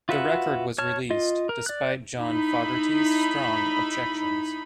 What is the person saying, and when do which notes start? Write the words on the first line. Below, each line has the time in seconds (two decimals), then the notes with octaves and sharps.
The record was released despite John Fogerty's strong objections.
0.09 F4 F#4 B4 E5 F#5
0.78 C#5 A5 F6
1.10 F4 D#5
1.49 A#4
1.66 D5 F#6
2.20 D#4 E4 B5